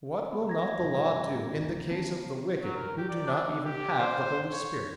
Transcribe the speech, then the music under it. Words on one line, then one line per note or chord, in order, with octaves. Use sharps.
What will not the Law do in the case of the wicked who do not even have the Holy Spirit?
B3 B5
A#5 G#6 A#6
G2 B2
D2
D#3 B3 C#4 A5
F#3
A#4
G4
D5
D4
G4
C5
C#5